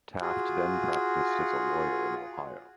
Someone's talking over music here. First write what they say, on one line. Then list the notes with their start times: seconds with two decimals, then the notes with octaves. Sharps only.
Taft then practiced as a lawyer in Ohio.
0.22 F4 F#4 G#4